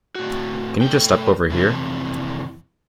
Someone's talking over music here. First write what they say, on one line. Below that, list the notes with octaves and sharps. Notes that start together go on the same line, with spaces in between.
Can you just step over here?
A2 F#4
A3 G5
F2 C3 E3 E4